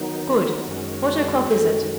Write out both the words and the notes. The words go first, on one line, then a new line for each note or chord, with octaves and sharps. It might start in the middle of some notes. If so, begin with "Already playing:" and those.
"Good; what o'clock is it?"
Already playing: D#3 F#3 B3 D#4
F#2 D#3 G#3 C#4 F#4
F#2 D#3 G#3 C#4 F#4 A4